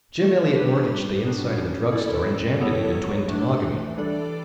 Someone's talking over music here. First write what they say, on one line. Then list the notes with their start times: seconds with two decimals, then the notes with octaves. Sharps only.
Jim Eliot mortgaged the inside of the drug store and jammed it into Twin Tamagami.
0.22 A3
0.56 D4 G4 B4
0.90 G3
1.24 B3 D4 F#4
1.58 C#4
1.92 E4 A4 D5
2.26 G3
2.60 B3 E4 A4 C#5
2.95 F#3
3.28 A3 D4 F#4
3.63 E3
3.97 G3 D4 A4 D5